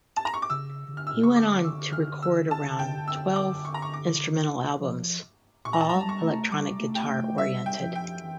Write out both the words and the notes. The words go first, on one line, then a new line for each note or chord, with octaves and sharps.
He went on to record around twelve instrumental albums, all electric guitar oriented.
A5
A#5
C#6
D6
C#3 E6
C#3
D3 F6
E6
A#2
C#3 C#6
D3 D6
E6
F6
E6
A5
G5
E6
D6
C#6
A#5
C#6
D6
F3
A#2 C#6
A#5
A5
A#5
G3
C#6
A3
G3 D6
A3
G5
A#3
A3
G3 E5
G5
F3
G5
E3